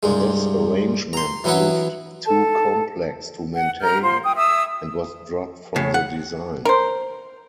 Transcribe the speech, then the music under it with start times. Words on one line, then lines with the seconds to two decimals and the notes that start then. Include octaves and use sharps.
This arrangement proved too complex to maintain and was dropped from the design.
0.03 C2 G2 G#3
1.13 A#5 C6
1.44 E3 F#3 B3 E4 B4 F#5
2.25 A4 A5
3.54 F#5
3.81 A#4 A#5 F6 G6
4.02 F4 C5 C6
4.23 G5 D#6
4.35 E5 D#6 E6
5.76 A2 C#3
5.94 F#5
6.65 A#4 C5